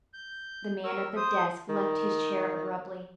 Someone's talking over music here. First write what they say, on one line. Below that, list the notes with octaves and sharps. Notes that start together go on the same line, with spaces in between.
The man at the desk left his chair abruptly.
G6
A#4 C#5 E6
C5 D#6
D#3